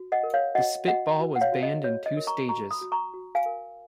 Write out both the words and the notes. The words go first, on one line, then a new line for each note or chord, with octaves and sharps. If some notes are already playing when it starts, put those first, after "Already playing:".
The spitball was banned in two stages.
Already playing: F#4
D#5 F#5
A#4
C#5 F5
F#4 D#5 F#5
F#4 D#5 F#5
F#4
F#5
C#5 F5
F#4
D#5
F#4 C#5
D#5
A#4
A#5 C#6
F#4 A#5 C#6
B5 D#6
F#4
A#5 C#6
F#4
F5 G#5
A#4